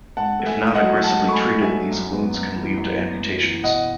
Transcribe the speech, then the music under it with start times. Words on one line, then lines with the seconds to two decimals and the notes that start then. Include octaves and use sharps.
If not aggressively treated, these wounds can lead to amputations.
0.17 G#2 F#5 A5
0.39 A3
0.46 E5 G#5
0.61 G#2
0.75 D#5 F#5
0.82 F#3
1.04 G#2 F#5 A5
1.26 A3 C#6
1.33 G#5 B5
1.47 G#2
1.62 E5 G#5
1.69 F#3
1.91 F#2
2.12 B3
2.34 F#2
2.55 E3
2.77 F#2
2.98 B3
3.20 F#2
3.41 E3
3.63 B2 D#5 F#5